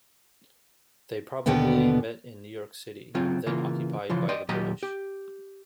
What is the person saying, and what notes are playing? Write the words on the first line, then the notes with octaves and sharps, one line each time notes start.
They probably met in New York City, then occupied by the British.
D#2 B2 D3 B3 G5
C#3 F#3 C4 F4
C#3 E3 A#3 F4
C#3 E3 F3 F4
D5 D#5 G5 C6
D#2 A#2 F#3 G4 D#5 A#5
G4